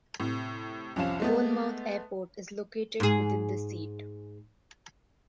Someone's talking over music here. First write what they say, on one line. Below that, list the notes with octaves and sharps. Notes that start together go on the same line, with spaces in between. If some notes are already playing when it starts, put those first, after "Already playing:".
Bournemouth airport is located within the seat.
A2 C3
C2 F2 F3 C#4 F5 E7
G#3 A3 B3
G#2 G#4